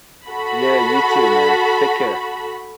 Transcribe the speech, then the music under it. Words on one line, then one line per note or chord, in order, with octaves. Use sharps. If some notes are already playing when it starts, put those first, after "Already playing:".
Yeah, you too, man. Take care.
F#4 A4 B5